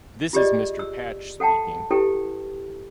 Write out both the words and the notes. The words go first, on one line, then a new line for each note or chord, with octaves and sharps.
This is Mr. Patch speaking.
F4 G4 G#4 D5 D#5
E6
A4 F#5 G5 A5
E4 G4 A4 B4 G5